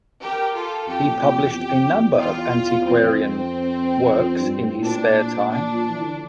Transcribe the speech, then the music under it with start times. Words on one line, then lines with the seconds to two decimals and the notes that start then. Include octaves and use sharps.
He published a number of antiquarian works in his spare time.
0.21 G4 A#4
0.54 F4 A4
0.87 F2 G4
1.04 A#2
1.20 C3
1.37 E2
1.54 F2
1.86 E2
2.19 E2 F4
2.85 F2 C4
4.17 F2
4.39 G2
4.61 A2
4.78 A2
4.83 A#2 D4
5.49 D4
5.74 F3
5.88 E3
6.01 D3